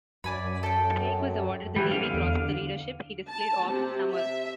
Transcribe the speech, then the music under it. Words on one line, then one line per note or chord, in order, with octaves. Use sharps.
Sprague was awarded the Navy Cross for the leadership he displayed off Samar.
F#2 D5 G#5 B5
A4 G5
E3 G3
D3 C4 F5
E2
A5
C3
E5